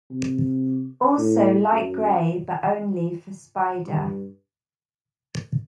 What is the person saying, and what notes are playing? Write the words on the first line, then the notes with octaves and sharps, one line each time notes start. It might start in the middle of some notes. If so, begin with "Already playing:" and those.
Also light-grey but only for Spider.
C3
A2
F#2
G2